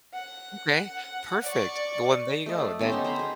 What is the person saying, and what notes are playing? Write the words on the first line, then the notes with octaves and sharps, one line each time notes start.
Okay. Perfect. The one there you go. Then
F#5
D5 C#6
A3 D#5
D5
B3 C#4 G4 C5
D3 D#4 A5
C5 A#5 B5
C#4 G#4